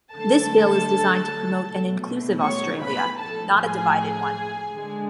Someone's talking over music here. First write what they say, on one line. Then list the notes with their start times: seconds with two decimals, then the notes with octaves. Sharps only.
This bill is designed to promote an inclusive Australia, not a divided one.
0.15 D3 F#3 A3 A4 A5
1.69 B2 A3
2.45 C#5 C#6
2.83 B4 B5
3.21 A2 F3 A3 A4 A5
3.59 G#4 G#5
4.73 D3 G#3